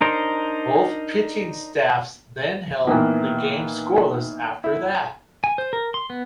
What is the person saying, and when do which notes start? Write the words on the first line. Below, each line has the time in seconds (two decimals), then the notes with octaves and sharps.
Both pitching staffs then held the game scoreless after that.
0.01 D4 D#4 A#4 C5
2.87 A#2 D#3 E3 A#3 B3
4.64 E4
5.44 G#5
5.58 C5
5.73 A#4
5.94 C6
6.10 B3